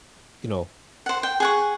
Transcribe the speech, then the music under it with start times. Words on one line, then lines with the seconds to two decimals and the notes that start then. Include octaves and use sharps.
you know,
1.06 C5 F#5
1.23 G5
1.40 G#4 F#5 C#6